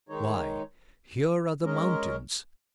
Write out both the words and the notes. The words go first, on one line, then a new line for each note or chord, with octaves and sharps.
Why, here are the mountains!
D#3 G#3 D#4 C#5
G#3 C#4 A#4 D#5